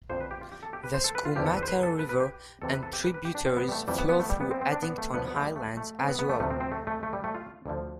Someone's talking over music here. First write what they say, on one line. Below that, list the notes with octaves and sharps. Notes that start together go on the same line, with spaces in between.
The Skootamatta River and tributitaries flow through Addington Highlands as well.
F2 D3 F3 C5
B4
G4
F4
G4
A4
G4
B4
C5
A4
B4
F4
E2 D3 F3 G4
A4
B4
C5
B4
A4
B4
B4
G4
E2 C3 E3 A4
B4
A4
G4
B4
B4
G4
D4
C4
B3
G3
A3
F2 E3 G3
B3
B3
A3
G3
B3
C4
C4
D4
B3
A3
D2 D3 F3 B3
B3
A3
G3
A3
A3
C4
B3
B3
A3
D2 C3 F3 A3
C4
C4
A3
A3
A3
G3
A3
F4
D2 D3 F3